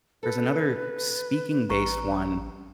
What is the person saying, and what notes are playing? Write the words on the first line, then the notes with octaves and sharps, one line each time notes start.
There's another speaking-based one,
A4 B4
A1 G3 A#5 C#6